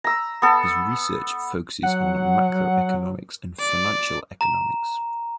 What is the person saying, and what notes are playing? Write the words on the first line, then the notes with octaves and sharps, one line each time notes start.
His research focuses on macroeconomics and financial economics.
A#5 E6
B3 A4
F#3 F#5
D5
A#5